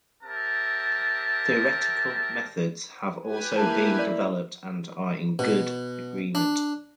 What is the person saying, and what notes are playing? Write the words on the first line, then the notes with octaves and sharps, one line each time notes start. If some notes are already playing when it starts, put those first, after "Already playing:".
Theoretical methods have also been developed and are in good agreement.
C4 G4 A#4 E5 A5
G4 B4 G#5
A#3 E4 A5
D5
B2
D4